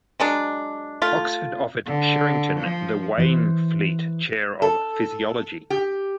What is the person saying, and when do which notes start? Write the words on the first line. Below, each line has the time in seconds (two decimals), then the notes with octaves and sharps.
Oxford offered Sherrington the Waynflete Chair of Physiology.
0.20 F#3 G#3 D4
1.02 A3 F4
1.86 D3
2.59 F3
3.18 E3 C5
4.62 A4
5.70 G4